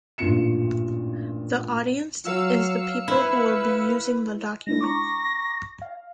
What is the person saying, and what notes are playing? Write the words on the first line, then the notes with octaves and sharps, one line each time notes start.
The audience is the people who will be using the document.
A1 G2 A#2 F4 C#7 E7
F#3 F5 E6 C#7
E4 B4
G#3 D4 E4 A#6
A#5 C#6 D6
F5